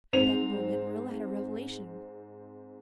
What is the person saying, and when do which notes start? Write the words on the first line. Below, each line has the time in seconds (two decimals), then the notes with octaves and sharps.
At that moment Marilla had a revelation.
0.13 G#2 C4 F7